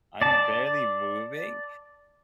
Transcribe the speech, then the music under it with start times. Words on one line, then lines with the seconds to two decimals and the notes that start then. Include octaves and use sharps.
I'm barely moving,
0.22 D5 A5